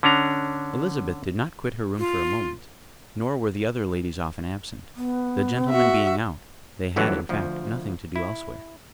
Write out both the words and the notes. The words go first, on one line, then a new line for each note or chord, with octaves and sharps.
Elizabeth did not quit her room for a moment; nor were the other ladies often absent; the gentlemen being out, they had, in fact, nothing to do elsewhere.
D3 C#4 D4 A#5
F4
B3
F#4 E5
G1 D2 D3 E3 F#3
D2 F3
E4